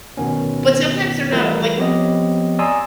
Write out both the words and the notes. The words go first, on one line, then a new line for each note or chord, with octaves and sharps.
But sometimes they're not, uh, like
D2 B2 D#3 B3 C#4
E3 G3 A3 F4 A#4 B4
F3 B3 C4 G4 C#5 D#5
D5 G#5 A#5 C6 D#6 E6